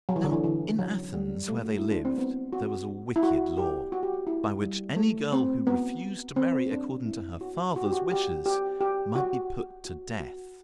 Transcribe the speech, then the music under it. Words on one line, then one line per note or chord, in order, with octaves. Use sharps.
Now, in Athens, where they lived, there was a wicked law, by which any girl who refused to marry according to her father's wishes, might be put to death.
F#3
E3
D3
E3
E3
F#3
G3
A3
F#4
E4
D4
C4
B3
F#4
E4
F#4
G4
F#4
G4
F#4
E4
G3
A3
C4
B3
C4
D4
E4
F#4
F#4
G4
F#4
G4
G4
G4
F#4
F#4
F#4